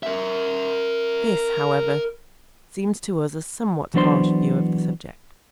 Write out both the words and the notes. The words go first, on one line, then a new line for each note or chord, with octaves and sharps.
This, however, seems to us a somewhat harsh view of the subject.
A#4 E5
E3 F#3 B3 D4 C5 C6